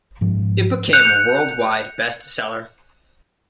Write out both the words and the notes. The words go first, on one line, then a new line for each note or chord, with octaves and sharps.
It became a world-wide best seller.
G#2 F3
F#6 G6 C#7 F7